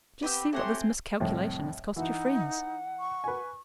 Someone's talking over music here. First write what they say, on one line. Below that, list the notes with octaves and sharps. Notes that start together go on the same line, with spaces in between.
Just see what this miscalculation has cost your friends!'
B3 C4 G4 B4 G5 E6
A3 C4 F#4 G4 C#5 F#5 G#5 C6
C2 F2 A2
E3 D#4 F#5
C#6
B4 G#5